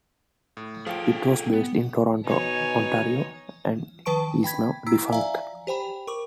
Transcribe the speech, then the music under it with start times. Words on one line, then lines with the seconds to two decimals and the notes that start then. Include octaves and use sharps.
It was based in Toronto, Ontario, and is now defunct.
0.57 A2
0.86 F3 G#4 A4 F5 G5
1.54 B3
2.25 B2 D#4 C#5 G#5
4.06 D#3 F3 B4 A5 C#6 D7
4.44 G5 B5 G#6 B6
4.86 E4 A#5 E6 B6
5.12 D5 E5 F5 G#5 A#5
5.67 G4 C5 G5 B5
6.07 A#4 C#6 D6